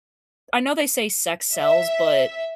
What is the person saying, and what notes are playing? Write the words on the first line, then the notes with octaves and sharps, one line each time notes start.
I know they say "sex sells" but
E5